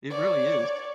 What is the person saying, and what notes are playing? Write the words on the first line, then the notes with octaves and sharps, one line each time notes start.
It really is.
C#5 D5